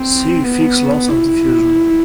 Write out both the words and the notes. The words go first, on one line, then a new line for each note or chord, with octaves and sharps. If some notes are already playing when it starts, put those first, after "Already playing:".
See Fick's laws of diffusion.
Already playing: C4
B3
E4